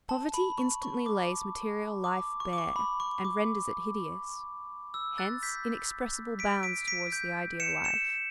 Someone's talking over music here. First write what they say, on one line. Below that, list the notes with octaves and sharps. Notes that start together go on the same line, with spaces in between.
Poverty instantly lays material life bare and renders it hideous; hence inexpressible bounds towards the ideal life.
A5
B5
C#6
C#6
D6
D6
C#6
D6
C#6
B5
C#6
D6
E6
F#6 A6
G6 B6
B6 D7
B6 D7
B6 D7
G6
C#7 E7
C#7 E7